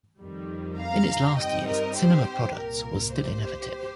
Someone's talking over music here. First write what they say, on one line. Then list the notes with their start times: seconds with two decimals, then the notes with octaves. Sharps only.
In its last years, Cinema Products was still innovative.
0.20 F2 D#3 G3
0.79 F5 A#5
1.37 G2 G3 C4 D#4 D#5 G5
1.67 A#4 D#5
1.96 G4 C5
2.55 C2 A#2 A#3 A#4
3.13 G4 C5